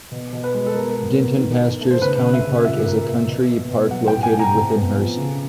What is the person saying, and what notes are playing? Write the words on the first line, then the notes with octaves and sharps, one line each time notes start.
Dinton Pastures Country Park is a country park located within Hurst.
B2
B2
B4
G#3
A4
B3 A#4
B3
B3
D#3
D#3
A3
C5
C#3 B4
C#3
E5
C#3
A#2 E5
A#3
A#3
B2
B2
B2
F#3 F#5
A2 G5
G#5
A3
A#5
C3
B3
F3
C#3